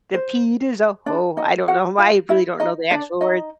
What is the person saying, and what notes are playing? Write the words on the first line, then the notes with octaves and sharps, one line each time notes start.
"The pita zoho," I don't know why, I really don't know the actual words.
C5
D4 D5
D#4 D#5
F#4 F#5
F4 F5
E4 E5
D#4 D#5
D4 D5
D#4 D#5